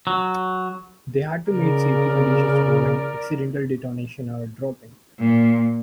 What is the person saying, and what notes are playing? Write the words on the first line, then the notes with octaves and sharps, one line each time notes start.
They had to meet safety conditions, to prevent accidental detonation or dropping.
F#3
C#3 A#4 D5
A#2